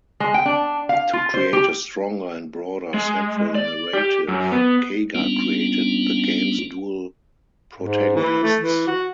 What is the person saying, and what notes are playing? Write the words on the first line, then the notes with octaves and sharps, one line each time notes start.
To create a stronger and broader central narrative, Kaga created the game's dual protagonists.
G#3
G5
D4
F5
F4
C5
G4
G#3
D5
G4
F#2
B3
G3 A#3 B3 C#4 D4 F4
G#2
E3
A3
E3
F#4